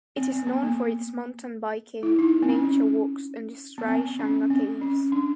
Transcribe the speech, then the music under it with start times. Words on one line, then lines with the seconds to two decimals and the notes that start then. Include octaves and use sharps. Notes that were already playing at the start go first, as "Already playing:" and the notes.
It is known for its mountain biking, nature walks, and the Sri Jangha caves.
0.17 C4
0.32 C4
0.47 B3
0.63 A#3
2.03 E4
2.19 D#4
2.42 C4
2.49 C#4
2.64 C#4
3.78 B3
3.88 C4
4.19 C#4
4.50 C4
4.81 C#4
5.12 D4